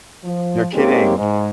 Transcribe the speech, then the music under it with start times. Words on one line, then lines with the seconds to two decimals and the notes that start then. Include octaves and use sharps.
You're kidding.
0.24 F3
0.74 G#3 A#3 C4 C#4 D#4 G4
1.17 G#2